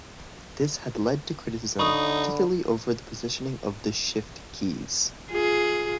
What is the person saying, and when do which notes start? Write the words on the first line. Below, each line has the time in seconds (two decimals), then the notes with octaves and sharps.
This has led to criticism, particularly over the positioning of the "Shift" keys.
1.79 D3 D#4 B5 C#6 D#6
5.31 F4 G#4